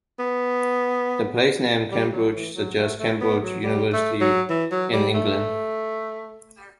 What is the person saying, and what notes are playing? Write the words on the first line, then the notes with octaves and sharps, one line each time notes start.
The place name Cambridge suggests Cambridge University in England.
B3
G3
F#3
E3
F#3
A3
A3
B3
F#3
G3
A3
F#3
E3
F#3
G3
A3